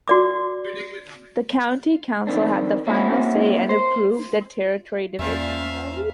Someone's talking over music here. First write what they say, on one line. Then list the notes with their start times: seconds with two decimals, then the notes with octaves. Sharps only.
The County Council had the final say and approved the territory divisions.
0.08 F#4 D5 D6
2.27 F2 D#3 C4 D4
2.87 A#3 C4 C#4 E4 F#4
3.69 C5
5.19 E2 A#2 F3 A#3 C#4 E5 F5